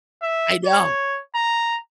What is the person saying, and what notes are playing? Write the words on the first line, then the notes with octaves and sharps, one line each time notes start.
I know.
E5
C#5
A#5